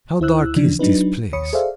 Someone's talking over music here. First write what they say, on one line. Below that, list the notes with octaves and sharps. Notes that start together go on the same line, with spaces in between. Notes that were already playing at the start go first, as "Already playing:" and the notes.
How dark is this place!
D2 E4 C5 E6 F#6
C#3 E3 F3 D4
F#3 D4 D#4 B4
D#2 C#5 B5 D#6 C#7
G#4 A4 C5 D5 E5 F5